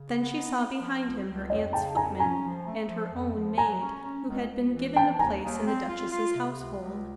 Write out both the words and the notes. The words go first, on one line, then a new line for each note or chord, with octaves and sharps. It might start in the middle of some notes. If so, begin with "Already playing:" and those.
Then she saw behind him her aunt's footman, and her own maid, who had been given a place in the duchess's household.
Already playing: C#3
B3
D#4
D#4
F3
C#2
C#2
F2 C#5 D#5
C#3 G5 A5
F2 G#5 A#5
C#4 G#5 A#5
F3
A3
F3
F2
F3
F#3 G#5 A#5
C#4
C#4
C#2
C#2
E3
F3 G5 A5
D#2 G#5 A#5
D#2
C4
F4
F4
C3
C#2
C#2